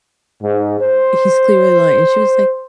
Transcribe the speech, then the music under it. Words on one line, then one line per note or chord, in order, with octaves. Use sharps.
he's clearly lying. And she was like,
G#2
C5